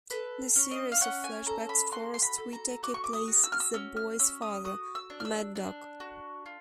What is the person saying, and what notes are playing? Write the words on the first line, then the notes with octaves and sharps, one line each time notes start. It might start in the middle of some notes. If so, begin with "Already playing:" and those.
In a series of flashbacks, Forest Whitaker plays the boys' father, Mad Dog.
A4 B4
C#4
D#5
F5
C#4 F#5
G#5
A4 A#5
B5
F#4 C6
C6
B5
A4
A#5
F#4 D6
C#6
D6
D#6
F#4
E6
F6
E6
C#4 E6
F6
C#4 E6
D#6
F#4 D#6
E6
D4
F6
E6
D4
F#4
F4